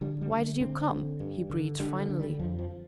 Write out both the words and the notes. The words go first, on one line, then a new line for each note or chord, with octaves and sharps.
"Why did you come?" he breathed finally.
D3 G3
G3
D3
A3
D3 C4
D3
G2
D3
D3 G3
F3
D3
G3
F2 F3
F3